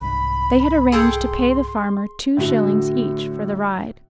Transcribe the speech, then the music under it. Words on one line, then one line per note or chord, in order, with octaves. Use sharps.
They had arranged to pay the farmer two shillings each for the ride.
C2 G#2 B5
G#4 A4 G5 C6
A2 D3 A3 F#4